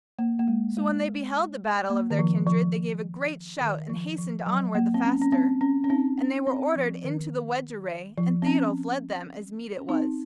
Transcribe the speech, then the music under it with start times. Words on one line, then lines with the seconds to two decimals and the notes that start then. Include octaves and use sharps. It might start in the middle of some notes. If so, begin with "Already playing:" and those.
So when they beheld the battle of their kindred they gave a great shout and hastened onward the faster; and they were ordered into the wedge-array and Thiodolf led them, as meet it was.
0.19 A#3
0.39 A#3
0.48 G#3
0.77 G#3
1.90 A#3
2.10 D#3
2.19 F3
2.47 F3
3.61 D#3
3.90 F3
4.18 F3
4.47 F#3
4.75 A#3
4.94 C4
5.05 C#4
5.22 C#4
5.32 C4
5.61 C#4
5.84 C#4
5.89 C4 D#4
6.19 C#4
6.47 C4
6.76 F3
7.04 D#3
8.18 F3
8.42 C4
8.46 C#4
9.78 C#4
9.89 C4 D#4